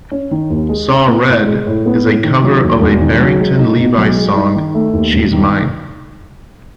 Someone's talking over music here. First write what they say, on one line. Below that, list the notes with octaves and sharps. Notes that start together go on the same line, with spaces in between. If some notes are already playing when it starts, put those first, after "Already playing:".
"Saw Red" is a cover of a Barrington Levy song, "She's Mine".
C#4
D#3
D#2
G#3
C#4
B3
A2
G#3
A2
B3
A2
D#3
F#3
D#2
E1
D#3
F#3
G#3
D#4
B2
B1
G#3
D#4
D#3
A3
D#2
E1
D#3